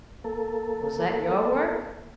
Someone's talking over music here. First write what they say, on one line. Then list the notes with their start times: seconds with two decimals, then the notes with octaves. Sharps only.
"Was that your work?"
0.24 A#3 A4